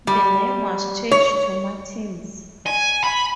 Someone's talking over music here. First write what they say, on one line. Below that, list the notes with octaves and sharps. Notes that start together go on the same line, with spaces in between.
The name was changed to Martin's.
G3
C#5
G#5
B5